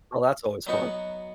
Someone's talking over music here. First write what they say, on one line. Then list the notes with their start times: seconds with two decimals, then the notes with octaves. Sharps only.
Well, that's always fun.
0.67 F#3 B3 D#4 F#4